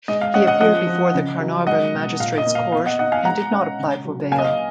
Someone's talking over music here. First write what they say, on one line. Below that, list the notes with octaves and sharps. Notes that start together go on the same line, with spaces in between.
He appeared before the Carnarvon Magistrates Court and did not apply for bail.
G#3 D#5
F5
C#4 D#5 F#5
D#5 F#5
F3 D#5 F#5
F3
C#3
F#3
G#3 D#5 F#5
B2
A#2 F5
D#5
A#3
F5
B3 F5
D#5 F#5
D#4 D#5 F#5
F5 G#5
G#3 F#5 A#5
C#4
C#3
F#3
A#3 F5 G#5
D#5
F5